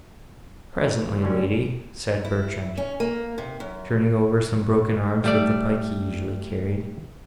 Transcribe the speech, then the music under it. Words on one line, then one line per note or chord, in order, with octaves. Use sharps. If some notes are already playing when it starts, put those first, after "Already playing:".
'Presently, lady,' said Bertrand, turning over some broken arms with the pike he usually carried.
A2 C#3
D3 G3 C#4
E4
C#4
A#3
C3
F#2
G3 A3 D5